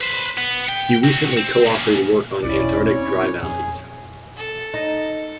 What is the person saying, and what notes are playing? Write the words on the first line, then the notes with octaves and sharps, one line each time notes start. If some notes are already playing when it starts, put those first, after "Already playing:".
He recently co-authored work on antarctic dry valleys.
B4 C5
B3
G5
C4 F#4
C4
A#2 C#3
E1 B1 C#4 E4 D5
B3 C4 C#5
F2 G#4 G#5
A4
D#4